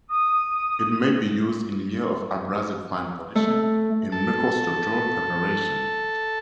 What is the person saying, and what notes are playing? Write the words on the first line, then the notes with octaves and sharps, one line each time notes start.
It may be used in lieu of abrasive fine polishing in microstructural preparation.
D#6
A3
A4 A5